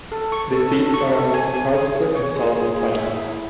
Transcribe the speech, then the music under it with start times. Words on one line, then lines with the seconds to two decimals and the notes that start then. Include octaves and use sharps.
The seeds are also harvested and sold as pine nuts.
0.12 A4
0.32 C#6
0.53 A4
0.73 A4
0.94 C#6
1.13 A4
1.34 G#5
1.54 G#5
1.75 G#4
1.95 G#4
2.15 C#5
2.36 G#4
2.57 G#4
2.76 G#4
2.97 E5
3.17 E4